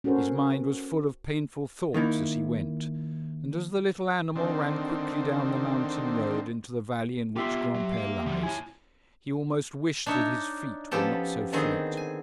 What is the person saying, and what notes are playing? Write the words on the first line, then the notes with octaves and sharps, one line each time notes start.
His mind was full of painful thoughts as he went, and as the little animal ran quickly down the mountain road into the valley in which Granpere lies, he almost wished that his feet were not so fleet.
C#4 F#4 A4 A#4 C5
D#3 A#3 D#4 E4
D3 D#3 C4
B3 F4 G4 E5 C6
F#3
A#3 F5
D3 F3 G3
E4 C#5 G#5
D4 D#4 C#5 E5
F3 B3 C#4 G4 A4
D3 D#3 B3 C4 G#4
G#5